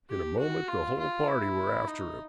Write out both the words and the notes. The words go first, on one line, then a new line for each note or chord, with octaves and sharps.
In a moment the whole party were after him.
G4
F#4
F4
F4
E4
D#4